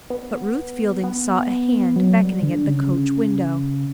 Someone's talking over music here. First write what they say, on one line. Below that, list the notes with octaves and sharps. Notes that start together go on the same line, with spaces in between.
But Ruth Fielding saw a hand beckoning at the coach window.
B3
B3
F#3
G3
D3
C#3